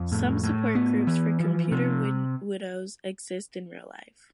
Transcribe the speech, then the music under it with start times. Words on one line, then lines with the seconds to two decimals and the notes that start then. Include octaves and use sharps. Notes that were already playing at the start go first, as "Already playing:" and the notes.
Some support groups for computer widows exist in real life.
Already playing: F2
0.12 A2
0.43 A2
0.75 B3
1.07 E3
1.40 F3
1.71 C3